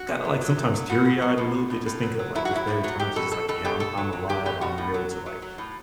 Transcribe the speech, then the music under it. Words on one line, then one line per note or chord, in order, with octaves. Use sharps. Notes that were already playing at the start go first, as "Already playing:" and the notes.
kinda like, sometimes, teary-eyed a little bit just thinking of, like, just better times, she's just like, "Yeah, I'm I'm alive. I'm able to, like,
Already playing: F#4
C3
C3
F#3
C3
F#3
A2 F#4
A2
F#3
A2
A2
A2
A2
F#3
F#3
F#3 E4
F#4
F#3 E4
A2
F#3 F#4
F#3 G4
B2 A4
B2 A4
B2 A4
B2 G4
B2 A4
F#3
F#3
F#3 G4
B2 G4
B2 F#4
A2
F#3
F#3
F#3
F#3
A2